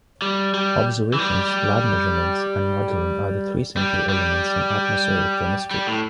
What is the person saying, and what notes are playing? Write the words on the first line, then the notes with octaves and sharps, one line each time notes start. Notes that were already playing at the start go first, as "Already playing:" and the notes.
Observations, lab measurements, and modeling are the three central elements in atmospheric chemistry.
G3
G3
E3
G3
G3
G3
G3
A2